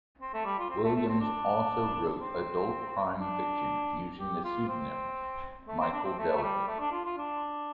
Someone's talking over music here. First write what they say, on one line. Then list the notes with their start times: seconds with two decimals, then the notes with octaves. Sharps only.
Williams also wrote adult crime fiction using the pseudonym Michael Delving.
0.21 C4
0.34 A3
0.45 G3
0.59 F4
0.70 C4
0.83 A3
0.96 A3
1.09 C4
1.20 D4
2.20 C4
3.19 D4
4.19 G4
4.44 F4
4.68 C4
5.67 A3
5.80 C4
5.93 D4
6.05 C4
6.18 A3
6.36 A3
6.42 G3
6.67 A3
6.80 D4
6.92 F4
7.05 F4
7.18 D4